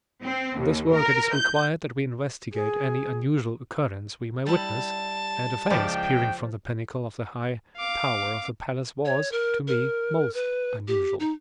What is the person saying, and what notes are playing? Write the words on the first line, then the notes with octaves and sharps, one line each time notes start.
In this work it is required that we investigate any unusual occurrence we may witness, and a face peering from the pinnacle of the high tower of the palace was, to me, most unusual.
C4
D#2
A#4
G6
G#4
G3 E4 A5
C#2 F3 D5 G5
F5 D6
C#5
A#4
A#4
B4
G4
D#4